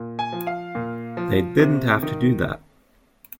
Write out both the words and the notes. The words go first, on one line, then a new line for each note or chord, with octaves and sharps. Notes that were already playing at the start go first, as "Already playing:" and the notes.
They didn't have to do that.
Already playing: A#2
G#5
F3
F5
A#2
F3
C3
D#3